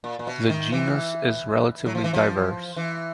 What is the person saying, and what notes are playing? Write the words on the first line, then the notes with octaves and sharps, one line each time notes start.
The genus is relatively diverse.
A#2
A#2
B2
D#3
E3
F#3
F3
E3
F3
E3